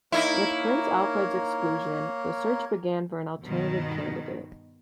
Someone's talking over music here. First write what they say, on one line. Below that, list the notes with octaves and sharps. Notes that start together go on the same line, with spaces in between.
With Prince Alfred's exclusion, the search began for an alternative candidate.
A#3 D#4 E4 A#4 C#5
G2 B2 D#3